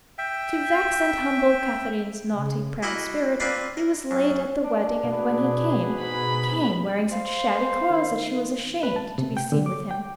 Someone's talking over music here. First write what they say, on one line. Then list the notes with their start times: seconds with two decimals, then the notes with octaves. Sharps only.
To vex and humble Katharine's naughty, proud spirit, he was late at the wedding, and when he came, came wearing such shabby clothes that she was ashamed to be seen with him.
0.18 E5 G5
2.33 C#3
2.82 A#3 E4 F#4 D#5 F#5 G5
3.40 A#3 C4 F4 B4 D5 F5
3.77 A#4
4.11 F#2
4.64 D4
5.04 B2 F#4 G#4 B4
6.01 G#2 B5
7.12 C5 F5
7.90 D#3
8.83 B4
8.96 A5
9.18 C3
9.37 G5
9.52 D3
9.66 D6
9.91 G5